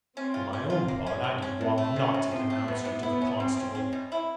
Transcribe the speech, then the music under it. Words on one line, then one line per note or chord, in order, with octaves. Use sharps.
For my own part, I did wrong not to denounce you to the constable.
C4 C#4
F4
C4 C#4
F4
A#3
C#4
A#3 C4
C#4
C3 C4
A3
C3 C#4
C3
F3 C4
A3
C3 B3
C3
B3 E4
C#4
B2 C4
C#4
C#4
B2
E4